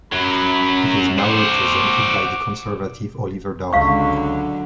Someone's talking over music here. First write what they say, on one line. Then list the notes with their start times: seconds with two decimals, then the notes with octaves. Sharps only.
It is now represented by the Conservative, Oliver Dowden.
0.12 F#2 F#3 B5
1.18 F#4 C5 D6
3.73 C#2 D3 F#3 F5 C#6